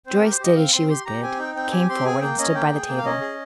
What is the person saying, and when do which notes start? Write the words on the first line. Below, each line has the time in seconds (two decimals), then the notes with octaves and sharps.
Joyce did as she was bid, came forward, and stood by the table.
0.07 C4 C5
0.19 G4 A#4
0.31 C5
0.39 G4
0.44 D#5
0.56 C4 F5
0.73 C4 C6
0.89 G4 C6
1.05 G4 A#5
1.23 C4 G#5
1.39 D#4 G5
1.55 C4 G5
1.72 G4 G#5
1.89 C4 C6
2.05 G#4 G#5
2.21 A#3 G5
2.39 C#4 D#5
2.54 A#3 G5
2.72 G#4
2.88 A#3
2.98 F5
3.05 C#4 D#5
3.21 G#4